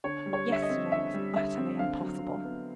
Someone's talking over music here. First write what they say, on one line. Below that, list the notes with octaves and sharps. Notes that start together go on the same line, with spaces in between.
Yesterday was utterly impossible.
D3 C#5
G3
C#5
D3 E5
D#5
C4
D3 E5
G3
D3 E5
C4
D3 F5
F#3
D3
B3